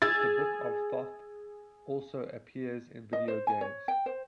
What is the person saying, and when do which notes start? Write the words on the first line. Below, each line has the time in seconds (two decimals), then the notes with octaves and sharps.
The "Book of Thoth" also appears in video games.
0.02 G#4 E6 G#6 A6
3.13 D#5
3.28 C5
3.47 G#5
3.61 C#5
3.88 G5
4.06 C5